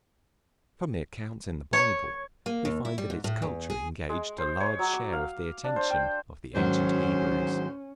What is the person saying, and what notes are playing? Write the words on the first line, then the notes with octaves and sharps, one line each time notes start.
From the accounts in the Bible, we find that its culture engaged a large share of the attention of the ancient Hebrews.
C#5
A#3
D#2
E4
G3
G#2
A2
E2
G#4
G#3
C5
C#5
F#3
D6
F5
D4
C5
G5
D2 G#2 D#3 F#3 C#4 C5